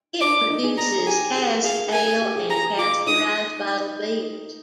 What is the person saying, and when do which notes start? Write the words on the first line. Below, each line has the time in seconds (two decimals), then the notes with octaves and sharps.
It produces cask ale and pasteurised bottled beers.
0.21 D4 D6
0.50 D#4
0.64 G#4
0.78 G#4 A#5
0.98 G#4
1.07 G4 G#5
1.36 G#4
1.54 A#4
1.64 G#4 F5
1.93 A#4 G#5
2.07 G#4
2.22 G4
2.36 G#4
2.49 G#4 A#5
2.64 G#4
2.78 F4 D6
3.07 D#4 D#6